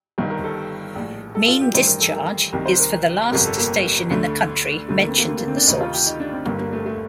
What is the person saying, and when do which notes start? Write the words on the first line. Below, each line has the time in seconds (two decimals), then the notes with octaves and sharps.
Mean discharge is for the last station in the country mentioned in the source.
0.18 G1 G2 D#3
0.30 A#4
0.44 A4
0.96 A#1 A2
1.35 A4
1.48 F4
1.61 G4
1.74 A1 G2 D#3 C5
1.87 A#4
2.01 A4
2.14 A#4
2.53 C2 C3 D#3 A#4
2.66 C5
2.80 A#4
3.32 G1 F2 C3 A#4
3.45 A4
3.58 A#3
4.10 D2 D3 A3
4.89 D2 D3 A3
4.99 A#3
5.09 C4
5.18 A#3
5.28 A3
5.38 A#3
5.48 C4
5.57 D4
5.67 D2 C3 D#3 D#4
5.81 F4
5.94 G4
6.07 D#4
6.20 D4
6.33 C4
6.46 G1 G2 D3 A#3
6.59 A#3
6.73 A3
6.86 A3